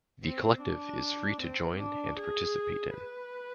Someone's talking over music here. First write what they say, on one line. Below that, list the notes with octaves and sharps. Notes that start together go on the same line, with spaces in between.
The Collective is free to join and participate in.
C4
D4
C4
D4
G#4
B4